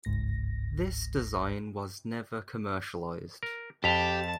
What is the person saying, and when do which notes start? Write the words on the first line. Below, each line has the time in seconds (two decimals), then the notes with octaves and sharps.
This design was never commercialized.
0.05 G1 C#2 G#2 A#6
3.43 A#4
3.84 F2 G4 A5 B6 F7